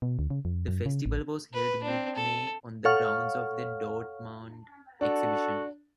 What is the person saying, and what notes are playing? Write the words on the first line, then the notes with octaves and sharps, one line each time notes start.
The Festival was held mid-May on the grounds of the Dortmund exhibition.
B2
D2
C#3
F2
F#2
C#3
A1
B4
C4 D4
A4
A4 C#5 F5 F#5 C#6 F6
D4 F#4 A4